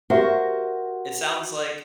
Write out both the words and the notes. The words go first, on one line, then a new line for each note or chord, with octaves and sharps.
it sounds, like,
F#4 G4 A#4 C5 E5 F#5